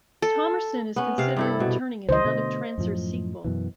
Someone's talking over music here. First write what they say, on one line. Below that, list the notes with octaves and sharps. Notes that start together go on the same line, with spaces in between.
Thomerson is considering returning in another "Trancers" sequel.
A4
B3 C#4
C3 F5
G2 E4 A4
B2
C#2 D#3 F#3 C5 D#5
B2 D3 A3
F#2 A2 F3
F#2 B2 E3